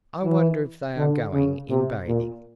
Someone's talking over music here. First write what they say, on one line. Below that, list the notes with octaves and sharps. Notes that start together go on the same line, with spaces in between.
"I wonder if they are going in bathing."
E3
D3
C#3
C3
A#2